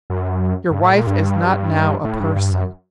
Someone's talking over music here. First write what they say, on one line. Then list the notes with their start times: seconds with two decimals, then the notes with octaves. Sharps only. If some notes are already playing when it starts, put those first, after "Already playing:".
Your wife is not now a person.
0.10 F#2
0.70 G2
0.82 A2
0.95 A#2
1.07 G2
2.04 A2
2.20 G2
2.36 G2
2.51 F#2